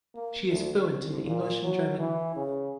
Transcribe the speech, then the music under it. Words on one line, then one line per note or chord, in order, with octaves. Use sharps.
She is fluent in English and German.
A#3
D2
C2
A#2
F#3
E3
C#3